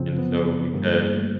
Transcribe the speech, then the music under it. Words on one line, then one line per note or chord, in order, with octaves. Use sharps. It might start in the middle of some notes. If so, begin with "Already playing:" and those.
And so, because,
Already playing: F#2 C#3 F3 C4
B3
G2 D3 G3 A#3
A3